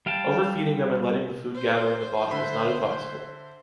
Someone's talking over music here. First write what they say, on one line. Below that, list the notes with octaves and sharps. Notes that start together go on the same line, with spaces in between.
Overfeeding them and letting the food gather in the bottom is not advisable.
G3 F5 G5 A5
C5
D3 E5 B5